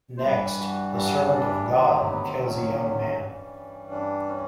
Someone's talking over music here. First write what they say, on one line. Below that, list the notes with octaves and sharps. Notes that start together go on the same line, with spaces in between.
Next, the Servant of God kills a young man.
C5
G2 E3 G3 B4
F#4
F#4
C#4
D4
D2 C3 D#3 F#3 D4
C4
B3
C4
C4
C#4
G2 E3 G3
D4
C#4